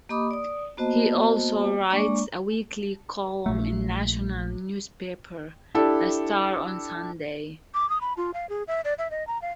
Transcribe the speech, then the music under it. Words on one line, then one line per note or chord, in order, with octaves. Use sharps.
He also writes a weekly column in national newspaper, "The Star on Sunday".
A#3 G4 D#5 B5 D6 D#6
D5 D#6
A#3 B3 F#4 C5 D#5 A5
G#3 A#3 D4 D5 C#6 D6
A#1 A3
D4 E4 G4 A4
D6
D#6
B5
F4
F5
G#4
E5
D5
E5
D#5
A#5
F5